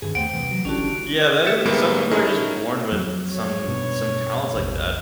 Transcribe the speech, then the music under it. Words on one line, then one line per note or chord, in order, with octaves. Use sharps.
Yeah, that is some people are just born with some some talents like that,
G2 D#3 G#4
E2 A3 C5 F#5 G5 D7
C2 E3
F#3
A1 D3 G3 C#4 E4 F#4 A4
F#1
D5
E5 G#6 A6 C#7 E7
A2 D#3 G3 G#3 A#3 B3
A3 C#4 D#4 E4 G#4 A#4
F2 F#3
C#5
G2 B2
A1 E2